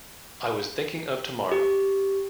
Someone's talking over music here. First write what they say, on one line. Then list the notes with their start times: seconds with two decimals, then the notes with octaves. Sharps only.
I was thinking of tomorrow.
1.52 G4